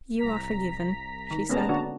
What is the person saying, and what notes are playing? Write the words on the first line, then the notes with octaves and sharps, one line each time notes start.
"You are forgiven," she said.
C2 A#5 B6
D#3
A#2 G#3 B3 C#4 A5 A#5
D3 D4 F#4